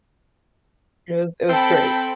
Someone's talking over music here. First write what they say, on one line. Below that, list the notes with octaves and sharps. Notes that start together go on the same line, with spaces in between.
It was it was great.
C4 A4 G5 B5